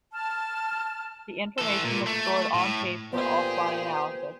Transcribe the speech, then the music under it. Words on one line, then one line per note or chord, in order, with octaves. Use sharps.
The information was stored on tape for off-line analysis.
A5 F6
E3 A4
A#2
A3
A2
A#2 B3 G4 G#4 C5